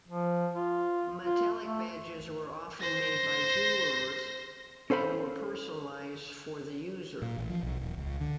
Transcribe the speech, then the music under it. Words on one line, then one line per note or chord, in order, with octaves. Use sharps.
Metallic badges were often made by jewelers and were personalized for the user.
F3
F4
F4
A3
C5 A#6
C#4 A4 C5 F5 B5
A#2
A1
F3
B1
D#1
C#2
D3